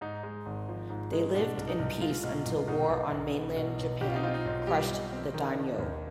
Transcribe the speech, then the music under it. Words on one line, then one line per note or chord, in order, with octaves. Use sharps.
They lived in peace until war on mainland Japan crushed the Daimyo.
G#2 D#4
G#3
G#1
F3
G#2
G#3
B2 D4
C2
D#4
C2
G#3 F4
B2
C2
B2 D#4
B1
B1
B3
B2
B1
B2 G4
F4
D#4
C4 F4
D#4
B1
G3 G4
B2
C4
D#3
D4
D#2